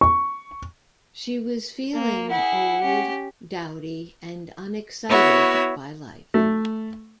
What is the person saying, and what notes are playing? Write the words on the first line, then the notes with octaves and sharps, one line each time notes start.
She was feeling old, dowdy and unexcited by life.
C#6
A#3
E4 G#4 F#5
C#4 G4
B3 E4 F#4 C#5
A3